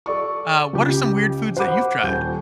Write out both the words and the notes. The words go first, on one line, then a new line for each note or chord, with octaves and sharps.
Uh, what are some weird foods that you've tried?
A4 D5 C#6
C#2 C#3 G4
C5 F#5 B5 D6
D#1 G6